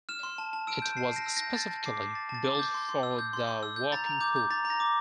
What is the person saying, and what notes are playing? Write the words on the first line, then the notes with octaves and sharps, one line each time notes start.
It was specifically built for the working poor.
F6 E7
C6
A5
A5
E6 D7
G6
A5 C7
A5 A#6
E6
A#6
G6
A5 A6
A5
D6 C7
G6
A5 A6
A5
A6
D6
G6 A6
C6
C6
E6
G6
C6
C6
E6
G6
A#5 A6
A#5
D6 G6
G6
A#5 A6
A#5
A#6
D6